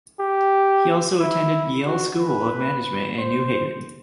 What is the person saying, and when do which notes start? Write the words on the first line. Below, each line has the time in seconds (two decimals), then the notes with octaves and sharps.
He also attended Yale School of Management in New Haven.
0.20 G4
1.20 E4
1.86 F#4
2.19 B4
3.18 C5